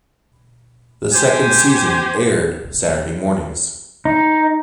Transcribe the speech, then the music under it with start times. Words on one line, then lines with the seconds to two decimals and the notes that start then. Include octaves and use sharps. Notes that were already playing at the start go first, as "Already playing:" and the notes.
The second season aired Saturday mornings.
1.13 G4 C5 G#5
4.05 D#4